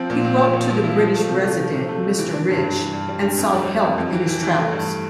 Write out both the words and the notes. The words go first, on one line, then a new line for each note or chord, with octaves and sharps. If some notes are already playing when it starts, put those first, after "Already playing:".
He wrote to the British resident Mr. Rich and sought help in his travels.
Already playing: F3 C4
A#2
C4
F3
A#2
F3
E4
F3
A3
C3
A3
F3
C3
A3
C3
E3
D4
G2
G2
E3
G2
G3
D4
F2
G3
G3
F2
F2
E3
E3
E3
A3
G2